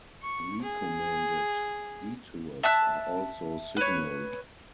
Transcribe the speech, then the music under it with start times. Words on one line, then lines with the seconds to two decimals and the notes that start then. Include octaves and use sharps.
Recommended detours are also signaled.
0.22 C#6
0.62 G#4
2.63 E5 A5 E6 F#6
3.77 B4 C#5